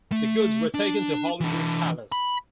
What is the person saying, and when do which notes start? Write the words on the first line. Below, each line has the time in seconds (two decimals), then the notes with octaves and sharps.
The goods were taken to Holyrood Palace.
0.12 A3
0.74 D4
1.41 E3 D4
2.12 B5